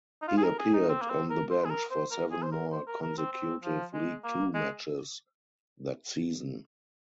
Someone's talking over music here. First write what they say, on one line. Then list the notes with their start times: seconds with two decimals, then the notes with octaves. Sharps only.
He appeared on the bench for seven more consecutive League Two matches that season.
0.22 D#4
0.28 F4
0.37 G#4
0.44 A#4
0.59 G#4
0.74 D#4
0.89 C4
1.01 A#3
1.10 C4
1.30 A#4
1.50 C5
1.65 G#4
1.70 A#4
1.91 C5
2.11 A#4
2.31 G#4
2.42 C5
2.52 A#4
2.72 C5
2.87 A#4
3.02 A#4
3.18 C4
3.33 C4
3.63 F3
3.94 G#3
4.24 A#3
4.54 G#3